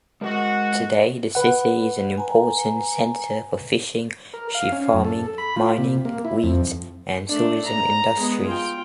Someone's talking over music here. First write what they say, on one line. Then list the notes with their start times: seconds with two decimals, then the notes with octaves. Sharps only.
Today, the city is an important center for fishing, sheep farming, mining, wheat, and tourism industries.
0.21 G#3 F#4 A#4 C5
1.35 B4 F#5
2.18 G#5 A#5
4.34 A#4
4.55 F5
4.72 C#4
4.93 F#2
5.05 A4
5.38 B5
5.56 F4
5.78 C3
6.05 A#3
6.25 E4
6.43 F2
7.28 A3 D4
7.65 A#5
8.17 G#3 B3
8.46 F4 G5